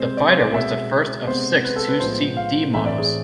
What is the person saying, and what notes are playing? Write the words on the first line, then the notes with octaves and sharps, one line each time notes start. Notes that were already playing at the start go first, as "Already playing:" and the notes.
The fighter was the first of six two-seat D-models.
Already playing: C3 G#3 C4 C5
D5
C5
D5
B2 G#3 C4 E5
C3 G#3 B3 C5
B4
A4
B4
A2 F3 G#3 B3 C5
F5
A2 E3 A3 C4 E5
D5
G#4